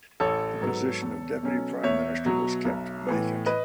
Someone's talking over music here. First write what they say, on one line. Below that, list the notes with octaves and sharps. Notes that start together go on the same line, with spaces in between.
The position of Deputy Prime Minister was kept vacant.
A1 A4 C#5
G#2 F#3 B3
E2
B2 F#3 C#4
E2 C#5 E5
B2 F#3
B1
A2 E3 B3
B4 D#5